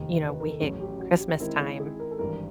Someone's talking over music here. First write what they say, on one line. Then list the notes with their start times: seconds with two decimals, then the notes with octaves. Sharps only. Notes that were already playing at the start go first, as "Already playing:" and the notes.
you know, we hit Christmastime
Already playing: F1 D#2 D#3 G4
0.29 B4
0.40 A#4
0.50 A4
0.60 A1 A2 F#3 A3 C#4 G#4
0.80 G4
0.99 F#4
1.20 G4
1.39 D#3 G#3 C4 E4 A#4
1.60 G#4
1.80 G#4
2.00 A#4
2.11 A4
2.19 G#1 G2 E3 G3 A#4